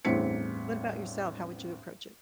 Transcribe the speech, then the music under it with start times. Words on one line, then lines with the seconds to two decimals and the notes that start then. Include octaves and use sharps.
What about yourself? How would you approach it?
0.05 A1 E2 G2 C4 B6 C#7